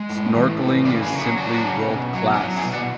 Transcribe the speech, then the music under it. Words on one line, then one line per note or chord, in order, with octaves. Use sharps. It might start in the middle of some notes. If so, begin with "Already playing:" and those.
Snorkelling is simply world class.
Already playing: G#3
A2
E3
A2
C#3 B4 D5
G#4 B4
F#3
E4 G#4
F#3 D4 F#4
C#3
B2
F#3
D4
F#3 C#4 E4
E4 G#4
B2
D5 F#5